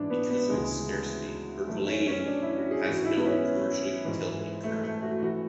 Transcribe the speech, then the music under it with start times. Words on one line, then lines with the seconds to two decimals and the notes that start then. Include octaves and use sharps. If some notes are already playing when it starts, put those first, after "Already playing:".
Because of its scarcity, berkelium has no commercial utility currently.
Already playing: G#2 E3 D4
0.10 B3
0.30 B3
0.50 D2 C#3 E3 G#3
1.67 E3 A3
1.71 F#2
1.87 C#4
2.07 C#4
2.26 D4
2.42 E4
2.56 F#4
2.71 G#4
2.85 G#2 F#4
2.89 E3
3.05 E4
3.17 B3
3.25 C#4
4.05 G#2 E3
4.63 A3
4.83 A3
5.02 F#4
5.22 E3 F#4